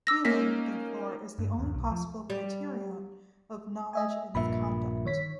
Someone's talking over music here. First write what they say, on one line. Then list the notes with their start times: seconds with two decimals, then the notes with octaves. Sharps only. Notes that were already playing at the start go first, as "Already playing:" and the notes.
Feeling, therefore, is the only possible criterion of knowledge and of conduct.
0.07 D6 E6 A#6
0.25 A#3 C#4 D#4 A#6 B6
1.39 G2
1.59 D#2
1.74 B1
1.92 F3
2.30 G3
3.93 D#5 E5 G#5
4.35 A#1 G2 A#2 E5 B5
5.05 D#3 C#5 B6